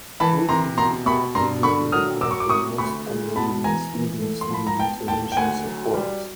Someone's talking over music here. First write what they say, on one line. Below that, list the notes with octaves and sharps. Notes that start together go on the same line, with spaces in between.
Reading difficulties is one of the most common reasons students need intervention support.
E3 A5 B5
C3 A#5 C6
B2 A#5 C6
B2 B5 C#6
G2 A#5 C6
D3 B5 C#6
F#3 D#6 F6
F#3 D6 E6
C#6
D6
C3 C#6 D#6
D2 B5 C#6
G#3
B2 A5 B5
E3 G#5 A#5
E3
A3
C6
F3 B5
A#5
B3 G5 A5
D#2 G5 A5
G5
D2 F#5 G#5
F#3
G3